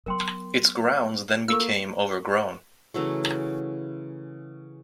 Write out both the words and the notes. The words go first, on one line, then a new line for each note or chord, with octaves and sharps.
Its grounds then became overgrown.
F#3 B3 A#4 G5 C6
A#3 F4 A4 C#6 E6
C#3 E3 F#3 A3